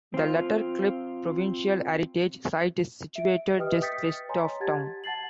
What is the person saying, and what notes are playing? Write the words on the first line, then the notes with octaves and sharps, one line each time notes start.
The Letterklip provincial heritage site is situated just west of town.
C4 F4
E5 D7
G4 B4 D#5 G5 D#6 F6
G5 D#6 G6 A6 B6 C#7
C#5 D#5 G#5 A#5 C6
G4 F#5 A5 G#6 A6
F#5 A5 A6 C7 F#7